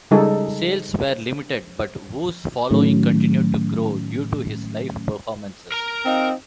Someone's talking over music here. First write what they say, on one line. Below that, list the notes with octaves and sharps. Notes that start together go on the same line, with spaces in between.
Sales were limited but Wu's following continued to grow due to his live performances.
C#3 G3 G#3 D#4 G#4 A4
A2 D#3 F#3 A3 C#4
A#4 A#5
C4 D#4 F4